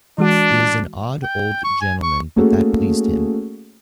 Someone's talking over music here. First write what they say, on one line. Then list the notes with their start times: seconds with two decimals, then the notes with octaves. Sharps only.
He is an odd old gentleman, but that pleased him.
0.18 E3 G#3 D4 F#4
1.23 G5
1.64 C#6
1.82 G#5
2.03 C#6
2.36 A3 A#3 C#4 F#4 G#4 A4